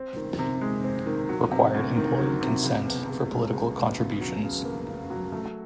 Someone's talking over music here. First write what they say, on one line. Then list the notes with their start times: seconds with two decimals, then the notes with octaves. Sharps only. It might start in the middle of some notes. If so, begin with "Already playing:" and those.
Required Employee Consent for Political Contributions.
Already playing: C4
0.16 D#3
0.39 C3
0.61 G#3
0.84 C4
1.06 D#3
1.29 F#3
1.51 C3
1.74 D2
1.97 D#3
2.18 F#3
2.41 C3
2.63 C#2
2.86 B2
3.08 C#2
3.30 G#3
3.53 C#2
3.76 B2
3.98 C#3
4.21 F#3
4.43 C#3
4.65 A#3
4.88 C#3
5.10 F#3
5.32 A3